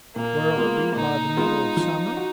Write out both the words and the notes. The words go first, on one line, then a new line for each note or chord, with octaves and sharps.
Where'll it be by the middle of summer?
A#2 A#3
G#3 B3 F4 G#4
A#2 D#4
G#3 B3 F4 G#4
F3
F#4